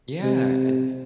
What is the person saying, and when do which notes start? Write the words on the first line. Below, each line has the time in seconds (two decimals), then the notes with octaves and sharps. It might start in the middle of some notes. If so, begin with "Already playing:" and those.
Yeah, and
0.23 C3